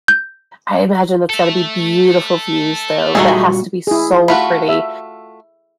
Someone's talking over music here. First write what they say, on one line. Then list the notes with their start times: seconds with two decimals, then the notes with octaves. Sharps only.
I imagine that's gotta be beautiful views, though. That has to be so pretty,
0.08 G6
1.30 A4 E5
3.15 A#2 D#3 G3 A3 F#4 G#4
3.87 E4 G#4
4.28 A3 F4 F#4 B5
4.69 E5